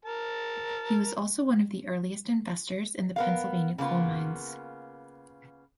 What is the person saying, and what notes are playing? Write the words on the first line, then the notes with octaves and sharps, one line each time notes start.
He was also one of the earliest investors in the Pennsylvania coal mines.
A#4 A5
B3 A#4 F5
C#3 A#3 B3 F4